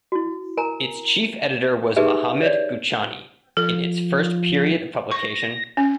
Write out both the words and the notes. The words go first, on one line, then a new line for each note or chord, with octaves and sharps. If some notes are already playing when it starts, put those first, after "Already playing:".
Its chief editor was Mohammad Ghouchani in its first period of publication.
E4 F#4
A#4 G#5 A#5
D#4 G4 G#4 A#4 B4 E5
C#5 D5
F3 A4
C#6 A#6
C#4